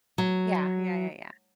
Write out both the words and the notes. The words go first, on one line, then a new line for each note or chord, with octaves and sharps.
Yeah. Yeah, yeah, yeah.
F#3